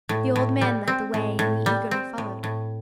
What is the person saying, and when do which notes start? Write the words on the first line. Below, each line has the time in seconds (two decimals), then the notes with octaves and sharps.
The old man led the way, and we eagerly followed.
0.09 A2
0.36 A2
0.61 G3
0.88 C4
1.14 A2
1.39 A2
1.66 G3
1.91 C4
2.18 A2
2.44 A2